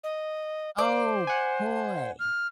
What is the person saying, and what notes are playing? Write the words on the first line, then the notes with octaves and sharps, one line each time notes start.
Oh, boy.
D#5
C5 D5
F#5 G#5
F6